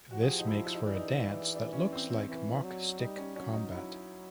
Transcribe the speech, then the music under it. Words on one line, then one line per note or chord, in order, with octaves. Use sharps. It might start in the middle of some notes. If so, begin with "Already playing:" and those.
This makes for a dance that looks like "mock stick combat".
F3 F#4
G#4
G4
D#4
E4
E4
D#4
E3 D4
D#4
D4
C#4
C4
C4
E3
F#3
G3 D#4
C#4
F#3 C#4
D#4
F#3 E4